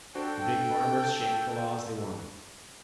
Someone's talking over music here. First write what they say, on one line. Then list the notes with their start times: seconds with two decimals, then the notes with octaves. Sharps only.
The big farmers shaped the laws they wanted.
0.15 D4 F#4 A4 C5 G5